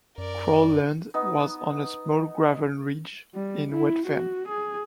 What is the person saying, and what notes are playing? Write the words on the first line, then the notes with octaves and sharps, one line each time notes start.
Crowland was on a small gravel ridge in wet fen.
F#2 A#4 D5
B3 D#4
G3
E4
F#4
G#4